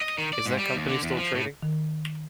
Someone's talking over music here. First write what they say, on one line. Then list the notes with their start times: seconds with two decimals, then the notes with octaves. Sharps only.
Is that company still trading?
0.01 D#5
0.18 D#3
0.33 D5
0.46 G#2
0.58 G3
0.75 D#2
0.89 D3
1.03 E2
1.18 F3
1.35 A2
1.62 D#3